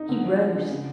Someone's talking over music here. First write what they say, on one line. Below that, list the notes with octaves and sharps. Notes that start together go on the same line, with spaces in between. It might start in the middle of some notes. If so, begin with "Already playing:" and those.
He rose.
Already playing: D#4
D3
F3
G#3
D3
C#3